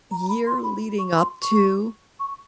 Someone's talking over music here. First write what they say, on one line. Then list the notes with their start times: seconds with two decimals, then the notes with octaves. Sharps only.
year leading up to,
0.11 A#5
0.22 A#5
0.29 B5
0.47 C6
0.64 B5
0.99 C#6
1.16 C6
1.42 C#6
2.20 C#6